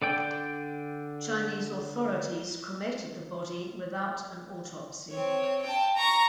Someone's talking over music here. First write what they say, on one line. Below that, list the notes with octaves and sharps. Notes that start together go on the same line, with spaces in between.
Chinese authorities cremated the body without an autopsy.
D3 D5 G5
C4 C#5
G5 A5
A#5 C#6